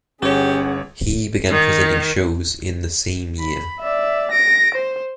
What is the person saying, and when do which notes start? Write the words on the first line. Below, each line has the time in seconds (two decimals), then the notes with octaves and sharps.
He began presenting shows in the same year.
0.22 G1 C#4 G4 G#4 C#5 F#5
1.50 D#3
3.40 B5
3.80 D5 E5
4.32 A#6 D7
4.75 C5